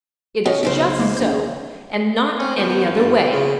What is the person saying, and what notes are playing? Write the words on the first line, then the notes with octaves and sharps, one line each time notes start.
It is just so, and not any other way.
B3 C#4 A#4 D#5
B1 F2 C#3 C5
G#3 A#3
A#1 G6
C#3
C4 C#4
F#2 D#3 F3 B3
G2
B2 G3 A4 D5
C#3 E4 F4